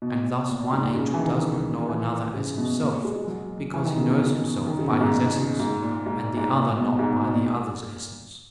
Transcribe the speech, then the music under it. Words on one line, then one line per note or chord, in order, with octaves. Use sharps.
And thus one angel does not know another as himself, because he knows himself by his essence, and the other not by the other's essence.
B2
A#2
A#2
G#2
A#2
C#3
E3
D#3
E3
C#3
B2
A#2
A#2
G#3
G#3
F#3
E3
D#3
C#3
B2
C#3
D#3
C#3
B2
G#2
A#2
B2
C#3
G#2
A#2
G#2
A#2
G#2
A#2
B2
G#2
A#2
B2
A#2